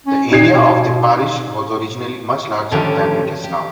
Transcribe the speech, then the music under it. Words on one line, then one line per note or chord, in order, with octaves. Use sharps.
The area of the parish was originally much larger than it is now.
C#4
A#2 D#4 G#6 C7
B2
A2 D3 D#3 F3 C#4 G4
G4